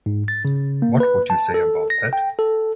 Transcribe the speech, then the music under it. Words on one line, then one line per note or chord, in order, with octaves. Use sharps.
What would you say about that?
G#2
A6
C#3
A#3
B4
A5
A4
A#6
G5
A4